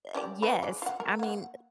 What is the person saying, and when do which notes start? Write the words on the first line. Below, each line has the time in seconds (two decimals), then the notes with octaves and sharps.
Uh, yes. I mean
0.14 C#4 G4 D5
0.42 B4 D#5 B5
0.63 G#3 D5
0.82 F4 F#5
1.00 A#4
1.19 A#3 F#5